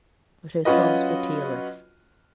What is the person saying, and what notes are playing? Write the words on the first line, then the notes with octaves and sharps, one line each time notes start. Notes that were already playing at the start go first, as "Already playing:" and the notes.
But her sobs were tearless.
F#3 C#4 F4 F#4 B4 D#5